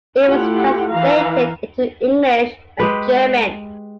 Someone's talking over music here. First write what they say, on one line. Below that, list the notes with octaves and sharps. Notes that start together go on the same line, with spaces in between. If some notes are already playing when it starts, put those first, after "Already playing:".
It was translated into English and German.
A3 E4 F4 G4 F#5
E3 F5 A#5
G#3 G4 B4